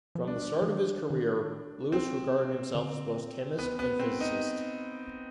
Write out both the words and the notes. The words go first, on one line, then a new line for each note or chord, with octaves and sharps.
From the start of his career, Lewis regarded himself as both chemist and physicist.
F3
G3 D4
F3
D#3
D#3
C4
D3
B3
B3
C4
D#4